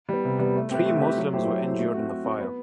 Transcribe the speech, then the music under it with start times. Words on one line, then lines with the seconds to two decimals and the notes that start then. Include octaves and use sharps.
Three Muslims were injured in the fire.
0.09 G3 B3
0.24 C3
0.39 G3 B3
0.55 A3
0.71 C4 G4 B4 E5
0.86 A3
1.01 C4 G4 B4 E5
1.17 F#3
1.33 A3 E4 G4 C5
1.47 F#3
1.63 A3 E4 G4 C5
1.79 A3
1.94 C4 F#4
2.09 A3
2.24 C4 F#4
2.40 B3